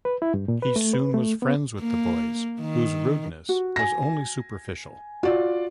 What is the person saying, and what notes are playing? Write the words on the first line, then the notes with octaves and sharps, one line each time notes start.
He soon was friends with the boys, whose rudeness was only superficial.
B4
E4
G2
A#2
B4
A3
B4
A3
B3
A#3
D#3
F#4
G#5 A#6
F4 F#4 D5